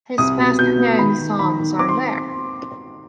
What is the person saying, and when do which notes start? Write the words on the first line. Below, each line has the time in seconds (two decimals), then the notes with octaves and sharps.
His best-known songs are There!
0.18 C2 D#6
0.38 B2
0.58 B2 G6
0.78 B3
0.98 D#3 B5
1.19 D#3
1.39 D#3 B5
1.60 D#3
1.79 C4 D6
1.89 C6